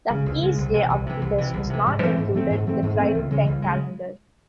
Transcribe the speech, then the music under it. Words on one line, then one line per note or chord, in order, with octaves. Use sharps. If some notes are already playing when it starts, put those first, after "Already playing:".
The feast day of Titus was not included in the Tridentine Calendar.
C#3 G#3
C#2
C#3 G#3
C2
C3 E3
C2
C3 E3
C2
C3 E3
C2
C3 E3
G#2
E3 A3 C4
G#2
E3 A3 C4
G#2
E3 A3 C4
G#2
E3 A3 C4
C#2
C#3 E3 G#3
C#2
C#3 E3 G#3